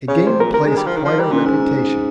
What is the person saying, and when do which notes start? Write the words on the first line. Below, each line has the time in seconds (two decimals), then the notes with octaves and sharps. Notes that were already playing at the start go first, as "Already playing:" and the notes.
It gained the place quite a reputation.
0.08 C#3 C#5
0.27 C3 C5
0.40 A#2 A#4
0.53 C3 A#4
0.67 G#3
0.77 G3
0.87 F3
0.96 D#3
1.05 F3 C5
1.18 G3 A#4
1.31 A#2 C#4
1.46 G#2